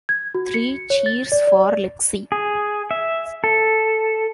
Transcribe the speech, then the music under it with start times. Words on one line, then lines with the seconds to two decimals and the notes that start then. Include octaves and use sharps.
Three cheers for Lexi!
0.09 G#6
0.35 F#4
0.54 C#7
0.90 C#5
1.06 A6
1.32 D5
1.47 D5
2.32 G#4
2.91 E5
3.44 A4